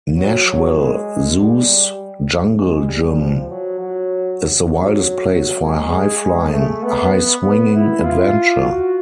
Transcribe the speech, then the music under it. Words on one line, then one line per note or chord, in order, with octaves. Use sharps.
Nashville Zoo's Jungle Gym is the wildest place for a high-flying, high-swinging adventure!
F#3
F#3
G#3
G3
G#3
G3
F3
F#3
F#3
F#3
F#3
G#3
G#3
A3
B3
B3
E4
F4
F#4